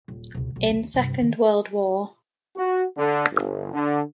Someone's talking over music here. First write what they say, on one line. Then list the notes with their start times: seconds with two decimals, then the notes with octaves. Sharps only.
In Second World War.
0.08 D#1
0.34 C#2 B2
0.56 B1 C3
0.70 D#2
0.94 G2 C3
1.21 D#3
2.56 F#4
2.97 D3
3.32 G1
3.73 D3